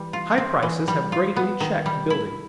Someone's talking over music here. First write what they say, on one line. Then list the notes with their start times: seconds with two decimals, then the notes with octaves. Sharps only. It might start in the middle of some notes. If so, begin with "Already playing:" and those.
High prices have greatly checked building.
Already playing: E3 G3
0.13 F4
0.38 C4
0.63 E3
0.88 G3
1.12 F4
1.36 B3
1.60 D#3
1.86 G3
2.10 E4